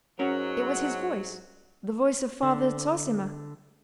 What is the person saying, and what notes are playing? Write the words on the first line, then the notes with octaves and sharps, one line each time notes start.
It was his voice, the voice of Father Zossima.
G#2 F#3 C#4 F#4 A#4
D3